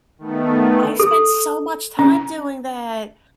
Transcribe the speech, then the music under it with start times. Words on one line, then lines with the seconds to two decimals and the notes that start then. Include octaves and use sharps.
I spent so much time doing that,
0.18 D#3 A3 B3
1.00 A4
1.99 C#4